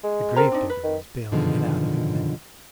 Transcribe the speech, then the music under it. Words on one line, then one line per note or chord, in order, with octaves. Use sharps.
The gravedigger was baling it out every minute.
G#3
C4 A4 A#4 A#5
D4 D#4
B4
D#3
F#2 B2 D3 D#3 F3 G#3